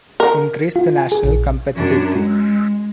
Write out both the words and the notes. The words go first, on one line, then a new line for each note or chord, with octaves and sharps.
Increase the national competitivity.
A#4
F4
G#5
G#4
A#1
F#2 D4
G#3